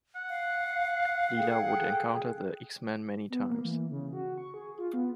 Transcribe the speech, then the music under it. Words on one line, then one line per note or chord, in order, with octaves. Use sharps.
Lila would encounter the X-Men many times.
F#5
F5
G#4 A4 G5
B3
A#3
E3
C#3
F#4
C#6
G#4
F4
B3